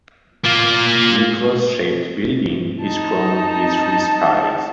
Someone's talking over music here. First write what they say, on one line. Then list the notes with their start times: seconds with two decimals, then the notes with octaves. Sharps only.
The cross-shaped building is crowned with three spires.
0.44 A#3 F4
2.83 D#4 A5